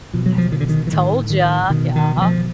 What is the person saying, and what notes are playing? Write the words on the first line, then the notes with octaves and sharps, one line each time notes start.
Yes. "Told ya." Yeah.
B2 F3
F#3
F3
D#3
D3
D#3
E3
A2 D#3
D#3
B2 D#3
D#3
E3
F3